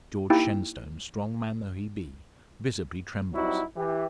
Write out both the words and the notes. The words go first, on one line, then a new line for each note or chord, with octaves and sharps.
George Shenstone, strong man though he be, visibly trembles.
A#3 D#4 E4 G4 G5 E6
F#3 G3 C4 D#4 E4 F#4
E3 G4